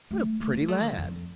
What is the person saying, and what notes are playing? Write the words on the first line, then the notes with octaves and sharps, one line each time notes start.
"What a pretty lad!"
A3
A3
A#3
A3
D3
F2